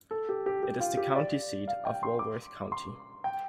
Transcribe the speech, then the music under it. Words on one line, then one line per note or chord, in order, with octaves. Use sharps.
It is the county seat of Walworth County.
A4
G4
G4
G4
F4
G4
D5
F5
G5
C6
D6
C6
G5